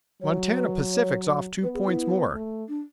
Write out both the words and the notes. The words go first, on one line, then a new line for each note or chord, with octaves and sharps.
Montana Pacific's off two points more.
F#3 C#5
B4
C#5
B3 B4
G#4
E4
A3
D4